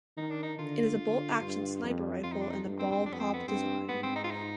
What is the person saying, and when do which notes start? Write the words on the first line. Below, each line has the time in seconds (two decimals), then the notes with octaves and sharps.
It is a bolt-action sniper rifle in a bullpup design.
0.17 D#3 D#4
0.30 D4
0.43 D#4
0.58 D3 F4
1.00 D3
1.41 G2
1.83 F2
2.23 F2 F4
2.32 D#4
2.41 D4
2.50 D#4
2.65 G2
2.79 C4
2.92 C4
3.06 F2 D4
3.13 B3
3.20 C4
3.34 B3
3.48 G2 C4
3.89 G#2 B3
4.03 C4
4.16 D#4
4.24 F4
4.31 D#4